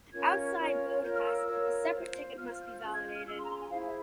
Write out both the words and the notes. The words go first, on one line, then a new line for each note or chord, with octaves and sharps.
Outside Budapest, a separate ticket must be validated.
C#4 F4 A#4 C#5 G#6
C#4 F4 A#4 C#5
F4 A#4 C#5 G6
F6
E6
E6
F4 A#4 C#5
F4 C5
F4 C5 F6
G6
F6
G6
F6
G6
C#4 F4 G#4 G6
G#6
G6
F6
C#4 F4 G#4 E6
C6
A#5
C6
G#5
E4 G#4 C5 F5
E5